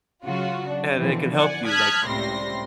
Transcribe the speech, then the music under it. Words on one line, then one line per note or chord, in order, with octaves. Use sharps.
and it can help you, like,
C#3 F#3 F4 F#4
D4
B2 D3 E3 F3 C4
D5 F#5 G#5
A5 D#6 F6 F#6 G#6 B6
C#2 A2 C3 G3 C6 A#6